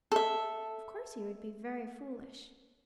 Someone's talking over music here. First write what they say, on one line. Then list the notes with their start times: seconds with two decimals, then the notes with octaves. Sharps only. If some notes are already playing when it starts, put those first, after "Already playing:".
Of course he would be very foolish.
0.12 A4 E5